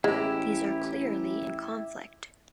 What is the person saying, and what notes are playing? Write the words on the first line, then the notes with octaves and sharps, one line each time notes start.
These are clearly in conflict.
A1 G#3 E4 G4